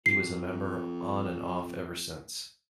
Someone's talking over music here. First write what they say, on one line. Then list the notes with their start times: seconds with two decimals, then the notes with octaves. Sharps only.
He was a member on and off ever since.
0.06 F2 C7